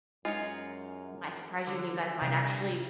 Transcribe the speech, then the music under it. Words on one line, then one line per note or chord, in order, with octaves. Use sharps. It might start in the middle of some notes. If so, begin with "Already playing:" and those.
it might surprise you and you guys might actually
F#2 G#3 D#4 F4 C#5
D3
G2 C3